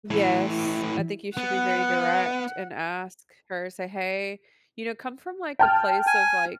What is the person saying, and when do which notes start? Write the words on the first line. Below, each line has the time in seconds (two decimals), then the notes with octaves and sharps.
Yes, I think you should be very direct and ask her, say, "Hey," you know, come from, like, a place of, like,
0.11 A2 E3 E4
1.37 B3 F#5
5.59 G5 A5 F6
6.07 G#5